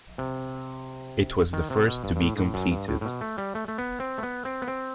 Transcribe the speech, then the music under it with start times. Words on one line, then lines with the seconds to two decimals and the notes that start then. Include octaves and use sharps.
It was the first to be completed.
0.18 C3
1.53 D#3
1.70 C3
1.87 B2
2.04 G2
2.16 G2
2.21 A2
2.38 A2
2.54 F#2
2.71 G2
2.88 A2
3.01 A2
3.06 B2
3.21 A3
3.38 G3
3.55 A3
3.68 A3
3.78 B3
4.00 C4
4.18 A3
4.23 B3
4.45 C4
4.62 B3
4.68 C4